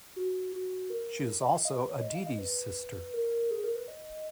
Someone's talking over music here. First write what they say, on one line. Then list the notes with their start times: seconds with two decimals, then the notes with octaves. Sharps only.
She is also Aditi's sister.
0.16 F#4
0.53 F#4
0.90 A#4
1.40 D#5
1.52 F5
1.65 D#5
1.78 B4
1.89 C#5
2.01 D#5
2.15 F5
2.26 D#5
2.39 B4
3.13 A#4
3.51 G#4
3.64 A#4
3.75 B4
3.88 D#5